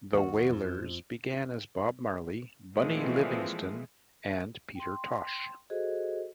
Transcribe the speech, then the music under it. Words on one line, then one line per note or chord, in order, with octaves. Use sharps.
The Wailers began as Bob Marley, Bunny Livingston and Peter Tosh.
D#2 F#4
F2 F3
A#2 E3 F3 G#3 A3 C4
G5 C6
F#4 G#4 A4 C5 D#5